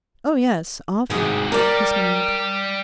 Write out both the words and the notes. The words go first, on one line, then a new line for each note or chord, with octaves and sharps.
'Oh yes, often.' He smiled.
D2 G#2 C3 G#4
G3 A#4 D5